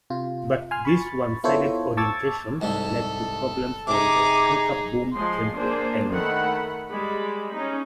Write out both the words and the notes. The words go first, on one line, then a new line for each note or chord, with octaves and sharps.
But this one-sided orientation led to problems when the tanker-boom came to end.
C3 F4
G#5 C6 F6
B5 C#6 A6
B3 E4 F4 A4 C5 C#5
A5 C#6 D6 E6 G#6 A6
C2 G#2 G3 A4
C3 D#4 G#4 D6
F3 G#3 C6
A#3 D4 G#4 C5
D#3 A3 F#5 B5
G3 G#3 B5
C#4 D#4